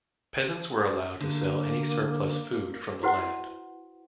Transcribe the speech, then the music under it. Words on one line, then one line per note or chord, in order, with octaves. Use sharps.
Peasants were allowed to sell any surplus food from the land.
D3 A#3
E4 F#4 B4 C5 F#5